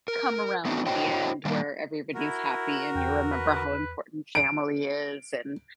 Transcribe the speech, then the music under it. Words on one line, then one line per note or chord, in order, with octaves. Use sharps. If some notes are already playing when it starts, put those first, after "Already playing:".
come around to the end where everybody's happy, and you remember how important family is, and
A#4
A3 B3 C4 D4 D#4 F#4
E4 F#4 C5 C#5 D#5 G5
D#3 G3 G#3 A#3
E4 F#4 A#4
E2 G5
B4
D7